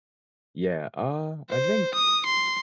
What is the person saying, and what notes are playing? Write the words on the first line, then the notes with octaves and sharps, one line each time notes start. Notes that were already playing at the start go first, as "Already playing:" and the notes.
Yeah, uh, I think
C5
D#6
C6